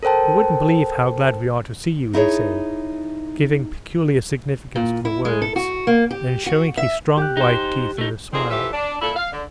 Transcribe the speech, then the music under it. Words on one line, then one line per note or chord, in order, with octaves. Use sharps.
"You wouldn't believe how glad we are to see you," he said, giving peculiar significance to the words, and showing his strong white teeth in a smile.
A4 A#4 C5 G5 A5
D#4 E4 G#4 C#5
A#2
E4
G#3
A4
F#4
A#3
G4
F#4
E5
G4 G5 F#6
D#4 C5
A3 D#4
F2 A#2 C4 D#4 G#4 C5
E3 F3 F4 G4 A4 E5
D4
A#2 E4 A4
F5
D3